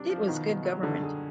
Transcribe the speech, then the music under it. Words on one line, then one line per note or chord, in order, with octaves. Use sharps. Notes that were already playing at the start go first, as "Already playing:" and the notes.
It was good government.
Already playing: C3 F#3 D4
F3
B2 D#3
B2
F#3
D3 G3
G#4